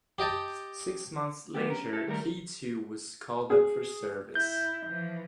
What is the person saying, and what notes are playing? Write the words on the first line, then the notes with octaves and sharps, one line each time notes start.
Six months later he too was called up for service.
G4 D#5 G5 A5
D#3 F#3 A3 B3 G4
C#4 A#4
E4 A4
D#3 G3 A3 A#4
G#4
E4 G6
E3 F3